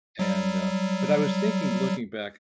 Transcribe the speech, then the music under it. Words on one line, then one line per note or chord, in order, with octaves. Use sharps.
And uh but I was thinking looking back
F#3 G3